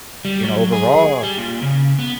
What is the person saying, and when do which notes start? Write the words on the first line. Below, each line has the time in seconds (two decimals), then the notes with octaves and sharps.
you know, overall
0.25 G3
0.43 F#3
0.72 G#4
1.23 G3
1.38 A#2
1.62 C#3
1.99 B3